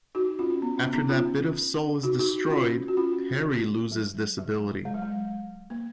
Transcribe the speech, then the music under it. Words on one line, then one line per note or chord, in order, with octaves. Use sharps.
After that bit of soul is destroyed, Harry loses this ability.
D#4 F#4
C#4 F4
C#4
B3
C#4
B3 D#4
C#4 F4
D#4 F#4
D#4 F#4
C#4 F4
F#4
C#4 F4
F#3
F#3
G#3
F#3
G#3
A#3